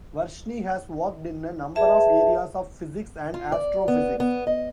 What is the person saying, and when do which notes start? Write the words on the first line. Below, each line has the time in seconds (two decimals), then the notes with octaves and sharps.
Varshni has worked in a number of areas of physics and astrophysics.
1.75 G#4 B4 E5 A5
3.34 F4
3.52 D5
3.88 B3
4.20 B3
4.47 D#5